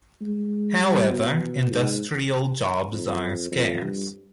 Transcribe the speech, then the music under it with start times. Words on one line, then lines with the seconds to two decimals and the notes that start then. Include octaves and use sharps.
However, industrial jobs are scarce.
0.21 G#3
0.81 G3
1.12 B2
1.72 G#2
2.92 F2
3.52 F2
3.82 G2